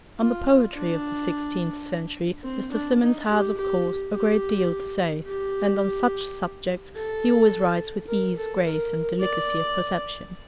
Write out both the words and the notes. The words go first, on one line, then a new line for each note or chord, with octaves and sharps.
On the poetry of the sixteenth century Mr. Symonds has, of course, a great deal to say, and on such subjects he always writes with ease, grace, and delicacy of perception.
F4
D4
C4
D4
D#4
G4
G4
G4
G4
A4
A#4
A4
A#4
D5